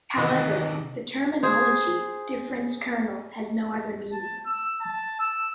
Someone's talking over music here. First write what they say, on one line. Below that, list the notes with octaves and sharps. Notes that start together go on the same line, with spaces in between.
However, the terminology "difference kernel" has no other meaning.
C3 D#3 E3 B3 D#5
G#4 C5
A5
E6
A5
E6